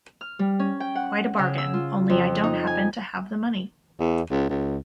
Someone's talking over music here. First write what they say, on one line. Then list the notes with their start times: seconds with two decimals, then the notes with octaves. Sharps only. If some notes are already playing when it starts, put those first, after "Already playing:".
Quite a bargain, only I don't happen to have the money.
0.21 F6
0.39 G3
0.59 C#4
0.80 G5
0.95 F#5
1.39 C#3
1.58 E6
1.74 F4
2.10 F2
2.43 D#4
2.67 G#5
4.00 E2
4.31 C#2
4.50 C#2